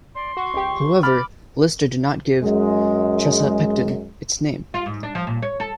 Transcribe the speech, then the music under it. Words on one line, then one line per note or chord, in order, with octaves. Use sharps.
However, Lister did not give "Chesapecten" its name.
D5 C6
F#4 C#6
C#2 G4
B5 D6 F6 A6
F#2 G#3
F4
G#2
D4
F3
A#2
C#5
A4